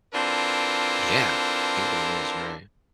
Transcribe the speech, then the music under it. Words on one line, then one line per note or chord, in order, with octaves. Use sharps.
Yeah, peanut butter is, right.
E3 C4 D4 F4 A4 A#4